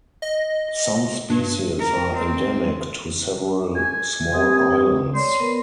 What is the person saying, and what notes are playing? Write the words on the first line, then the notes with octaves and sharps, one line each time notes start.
Some species are endemic to several small islands.
D#5
G2
A#4
C4
G#5
C4 G4 D#6
C#5 D5 C6
B3 A#4 B4